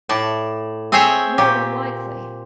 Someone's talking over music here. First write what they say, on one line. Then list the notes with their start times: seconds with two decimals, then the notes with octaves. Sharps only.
"More than likely."
0.09 A2 D5 A5
0.92 C4 G#4 C5 C#5 E5 G#5
1.38 A#2 G4